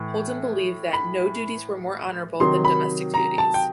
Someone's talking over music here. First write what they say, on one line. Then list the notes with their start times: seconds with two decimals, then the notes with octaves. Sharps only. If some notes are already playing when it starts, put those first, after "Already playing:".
Holden believed that "no duties were more honorable than domestic duties".
Already playing: A2 E3
0.93 B5
2.40 C3 D#3 F#3 C6
2.65 B5
3.14 A#5
3.38 A5
3.54 G5